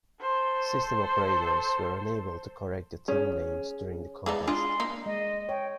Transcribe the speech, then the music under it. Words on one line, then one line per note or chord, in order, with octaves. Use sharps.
System operators were unable to correct the team names during the contest.
A4 C5
C#4 G#4
E3 G#3 B3 D#4 G#4 D5 A5
D4 F4 G#4 D#5 C6
A#3 D#4
G#3 D#5
C#5 G5